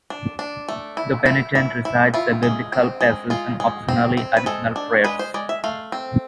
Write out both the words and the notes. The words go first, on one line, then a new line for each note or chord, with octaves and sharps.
The penitent recites a Biblical passage and, optionally, additional prayers.
D4
D4
A3
E4
E4
E4
E4
E4 F4
G#3
C4
G#3
G#3 F4
G#3
C4
C4
B4
G#3 A4
D4
G#3 B4
C5
G#3 D5
E5
A3 F5
C4